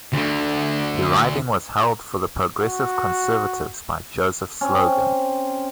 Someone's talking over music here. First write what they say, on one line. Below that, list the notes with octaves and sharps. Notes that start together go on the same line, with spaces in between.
The riding was held for the Progressive Conservatives by Joseph Slogan.
D2 D3
F#4
C4 C#4